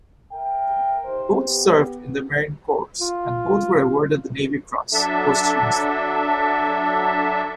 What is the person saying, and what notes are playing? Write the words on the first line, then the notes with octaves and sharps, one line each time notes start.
Both served in the Marine Corps, and both were awarded the Navy Cross, posthumously.
A#4 E5 G5
D#4 G4 C5
B3 G4
F4
F#3 D4 A4 E5